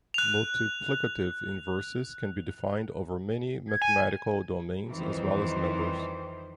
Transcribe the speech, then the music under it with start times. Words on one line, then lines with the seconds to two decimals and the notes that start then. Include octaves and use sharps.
Multiplicative inverses can be defined over many mathematical domains as well as numbers.
0.14 F#6 F7
3.70 G#6
3.81 G#5
4.88 F2 D#3 E3 G3 C5